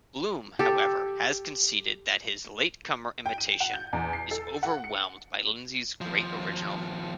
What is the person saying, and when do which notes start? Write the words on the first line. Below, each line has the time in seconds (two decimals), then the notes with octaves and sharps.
Bloom, however, has conceded that his late-comer imitation is overwhelmed by Lindsay's great original.
0.59 G4 A4
3.26 G5
3.38 D#7
3.60 F#5
3.74 G6
3.93 E2
4.13 C7
4.31 A4
4.63 F#5
4.84 C#7
6.01 D#2 F3